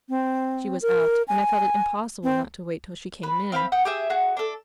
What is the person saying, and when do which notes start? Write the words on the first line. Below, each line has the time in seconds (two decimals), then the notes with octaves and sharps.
She was out; and I felt it impossible not to wait till she came in.
0.09 C4
0.82 A#4
1.28 G#5
2.23 C4
3.23 B4
3.52 C4 F5 G5 B5
3.72 F#5 G5 D#6
3.85 G4 G#4 E5
4.10 F#4 G#4
4.37 D4 A4